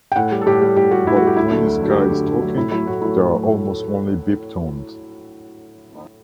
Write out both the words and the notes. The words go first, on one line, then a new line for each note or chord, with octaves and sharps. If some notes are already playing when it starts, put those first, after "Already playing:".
But when this guy is talking, there are almost only beep tones.
G5
A2 F#5
G3
A4
A2 G4
G3
A2 G4
G3 F#4
A2 E4
F#4
G3
G4
D2 E4
D3 F#3 A3
D2
D3 F#3 A3
G4
D2 F#4
D3 F#3 A3
D2
D3 F#3 A3
A2 E4
F#3 A3 E4
A2 F#4
F#3 A3 E4
A2
F#3 A3
A2